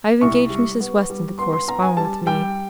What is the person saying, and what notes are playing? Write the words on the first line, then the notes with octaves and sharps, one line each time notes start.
I have engaged Mrs. Weston to correspond with me.
C2 C#6
G3
B3
G3
B3 C6
C6
B3 A#5
G#5
G3 A5
G3 G5